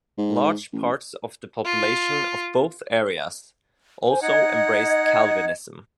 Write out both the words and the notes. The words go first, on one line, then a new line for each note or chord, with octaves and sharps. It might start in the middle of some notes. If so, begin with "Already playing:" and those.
Large parts of the population of both areas also embraced Calvinism.
G#2
A1
F4
C5 G#5
D#4 D#5 F#5 G#6